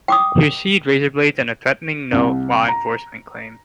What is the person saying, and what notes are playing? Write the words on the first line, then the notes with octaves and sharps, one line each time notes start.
He received razor blades and a threatening note law enforcement claim.
G5 D6 D#6
C2
A#5